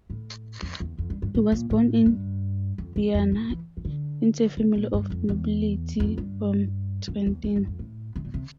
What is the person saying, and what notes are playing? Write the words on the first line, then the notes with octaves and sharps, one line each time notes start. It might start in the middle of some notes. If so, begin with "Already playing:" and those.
He was born in Vienna into a family of nobility from Trentino.
A2
F2
E2
F2
G2
G2
A2
A#2
A2
G2
F2
F2
F2
A2
E3
E3
D3
C3
A#2
G2
F2
E2
F2
G2
F2
E2
F2
G2
F2
A2
C3
A#2
C3